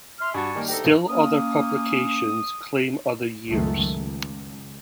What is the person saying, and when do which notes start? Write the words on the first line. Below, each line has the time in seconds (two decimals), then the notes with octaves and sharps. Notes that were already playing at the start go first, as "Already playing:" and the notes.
Still other publications claim other years.
0.20 E5 C6 F6
0.34 G2 F#4 G#5 A5 C#6
0.55 D#3 G3 A#3
0.69 D2 D#4 G4 A4
0.85 G1
1.09 A#3 C#4 D#6
3.50 C#2 F#2 D#3 G#3 A3
3.95 C#2